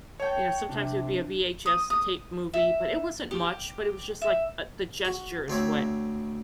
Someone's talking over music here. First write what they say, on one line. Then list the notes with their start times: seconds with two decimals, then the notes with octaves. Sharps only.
you know, sometimes it would be a VHS tape movie, but it wasn't much, but it was just, like, uh, the gestures what
0.20 C#5 G5 A5
0.69 C3 D4
1.66 D#6
1.90 D#6
2.54 E5
3.31 G4
4.22 E5
5.05 F#4
5.48 D2 C4 C#5 E5